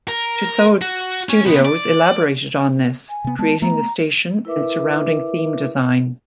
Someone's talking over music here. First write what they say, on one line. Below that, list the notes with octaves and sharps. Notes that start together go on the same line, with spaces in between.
Tussauds Studios elaborated on this, creating the station and surrounding theme design.
A#4
F#4
C#4
C3 B3
D5
G#5
C3 B3
G#3 B3 A5
A3 B3 A#5
E4 A#4 B4 E5 D6